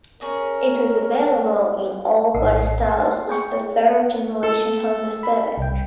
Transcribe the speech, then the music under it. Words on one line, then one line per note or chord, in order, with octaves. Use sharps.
It was available in all bodystyles of the third generation Honda Civic.
C#4 G#4 A#4
A#1 A2 D#5 C7
F#5 A5 C6
G#4 G5 C#6
A4
B5
C2 G5